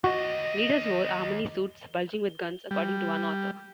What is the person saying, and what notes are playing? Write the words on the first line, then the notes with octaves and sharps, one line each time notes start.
Leaders wore Armani suits bulging with guns, according to one author.
D#2 F#4 D#5
G3